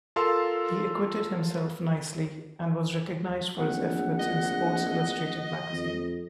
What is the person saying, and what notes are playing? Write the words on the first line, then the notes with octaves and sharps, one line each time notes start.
He acquitted himself nicely and was recognized for his efforts in "Sports Illustrated" magazine.
F4 A4 A#4 F5 C6 E6
D1 A#1 F#5
D#5
F2